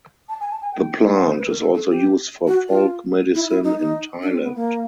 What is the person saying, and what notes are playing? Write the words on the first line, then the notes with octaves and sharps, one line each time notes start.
The plant is also used for folk medicine in Thailand.
A5
G#5
A5
G#5
G5
F#5
C5
B4
A#4
A4
A4
G4
F#4
F4
E4
E4
D#4
D#4
D4
C4
B3
A#3